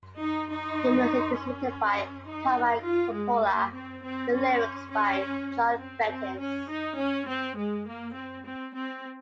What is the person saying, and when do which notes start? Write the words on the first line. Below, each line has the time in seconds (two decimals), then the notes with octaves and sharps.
The music is written by Carmine Coppola, the lyrics by John Bettis.
0.20 D#4
0.50 D#4
1.38 C#4
2.26 D#4
2.85 F4
3.15 G#3
3.44 A#3
3.74 C4
4.03 C4
4.33 C#4
4.91 C#4
5.80 C4
6.09 C4
6.39 C#4
6.69 D#4
6.98 C#4
7.27 C4
7.57 G#3
7.86 A#3
8.15 C4
8.45 C4
8.74 C4